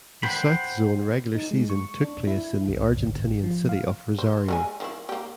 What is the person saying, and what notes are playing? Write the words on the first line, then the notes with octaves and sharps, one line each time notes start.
The South zone regular season took place in the Argentinian city of Rosario.
C5 F#5 G5 B5
D#4
G#3
C#6
D4
E4
C2
G1
G#1
F3
F5
C5
G#3 A4 G#5
D#3 F3 E4
A#3 G4